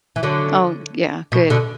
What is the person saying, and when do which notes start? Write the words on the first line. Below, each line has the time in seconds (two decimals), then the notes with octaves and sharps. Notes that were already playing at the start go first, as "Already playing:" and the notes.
Oh, yeah, good.
0.16 E3
0.23 D3 F#3
1.32 B2
1.50 B2 D3